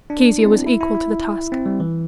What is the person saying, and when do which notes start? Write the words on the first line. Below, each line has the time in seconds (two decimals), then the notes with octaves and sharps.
Kezia was equal to the task.
0.10 D4
0.38 E4
0.45 C4
0.52 D4
0.66 E4
0.81 E4
0.95 E4
1.52 C4
1.66 G3
1.80 E3